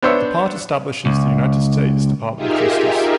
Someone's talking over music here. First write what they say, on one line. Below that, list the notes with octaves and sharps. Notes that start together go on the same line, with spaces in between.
The part establishes the United States Department of Justice.
B3 D4 C5 C#5 E5
C#2
D#4 F4 G4 G#4 A#4 E5